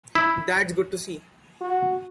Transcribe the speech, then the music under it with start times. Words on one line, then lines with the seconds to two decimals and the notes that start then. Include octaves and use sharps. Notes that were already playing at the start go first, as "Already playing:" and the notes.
That's good to see.
0.15 E4
1.61 F#4